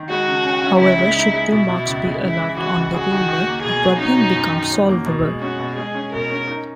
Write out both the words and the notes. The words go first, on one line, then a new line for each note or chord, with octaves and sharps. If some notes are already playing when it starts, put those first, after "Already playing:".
However, should two marks be allowed on the ruler, the problem becomes solvable.
Already playing: D#3
G#3 F#4
C#3
C#4
C#4
C#2 E4
G#3
D#4
G#3
B2 E4
B2
C#2
G#3
C#3 E4
E3
E3 F#4
C#2
F#4 G#4
D#3
D#3
A#3
B2 G#4
F#3
C#4 D#4
B2
F#2
D#3
F#3
A#3
B2
G#3
C#4 F#4
B2
G#3 G#4
C#4
B2 A#4
C#4
D#4